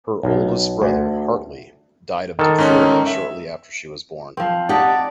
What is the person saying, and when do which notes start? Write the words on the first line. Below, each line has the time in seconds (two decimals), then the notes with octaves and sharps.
Her oldest brother, Hartley, died of diphtheria shortly after she was born.
0.23 B1
0.82 D2
2.39 D#3 A4
2.58 G#2 C#4 D#4
3.07 E5
4.37 F3 C4
4.69 D#4 G4 D5 F#5 A5